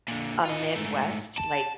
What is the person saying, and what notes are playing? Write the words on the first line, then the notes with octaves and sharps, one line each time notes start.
a Midwest, like,
A#2 D3
F4 D#5
G#2 A3
A5